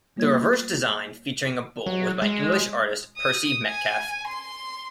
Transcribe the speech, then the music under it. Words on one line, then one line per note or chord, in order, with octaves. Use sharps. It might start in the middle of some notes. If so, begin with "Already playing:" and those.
The reverse design featuring a bull was by English artist Percy Metcalfe.
G3 A#3 F4 C#5 G#6
F#3
G#3
D#6
G#5
C6